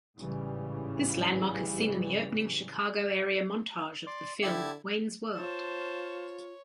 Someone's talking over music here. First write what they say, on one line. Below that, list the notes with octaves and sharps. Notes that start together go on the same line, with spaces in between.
This landmark is seen in the opening Chicago-area montage of the film "Wayne's World".
A1 G#2 C#3 E3 G3
D5 C6 D6
D3 E4 G4 E5 A5 G#6
F4 C5 C#5 A5